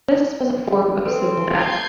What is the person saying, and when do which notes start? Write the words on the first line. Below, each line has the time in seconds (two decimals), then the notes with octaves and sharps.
This was a form of civil death.
1.05 C4 A4 B4
1.53 F4 G6 G#6 C7